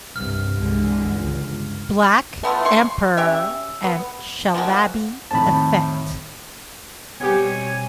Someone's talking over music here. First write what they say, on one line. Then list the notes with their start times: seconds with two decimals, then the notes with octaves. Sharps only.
Black Emperor and Shalabi Effect.
0.16 C2 G2 F6
0.57 C2 D3 E3 G#3
1.00 G1 C#2
2.43 A3 B3 E4 F4
2.65 C#5 C6 C#6
3.17 C#4 G4 E5
3.84 B3
4.54 F3 G#3 A#3 F#4
5.31 F2 A2 D#3 A5 B5
7.20 B2 G3 C4 G4 C#5 G#5